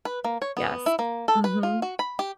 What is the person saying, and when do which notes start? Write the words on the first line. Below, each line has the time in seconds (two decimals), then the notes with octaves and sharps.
Yes. Mhm.
0.05 B4
0.24 A#3
0.42 C#5
0.57 B3
0.86 E4
0.99 A#3
1.28 A4
1.44 B4
1.63 F4
1.82 F#4
1.99 B5
2.19 G4